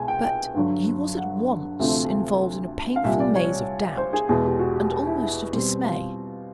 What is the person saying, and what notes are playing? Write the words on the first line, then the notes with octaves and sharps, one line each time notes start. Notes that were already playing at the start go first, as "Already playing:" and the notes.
But he was at once involved in a painful maze of doubt and almost of dismay.
Already playing: C2 B2 G#3 G#5
G5
G5
G2 D3 F#3
F#5
D2 C3 F3 A3 C4 E5
F5
C2 A#2 G3 E5
D5
C#5
C5
G#4
E2 B2 G#3 G#4
G4
F#4
G4
E4
E4
B2 G3 C4
F4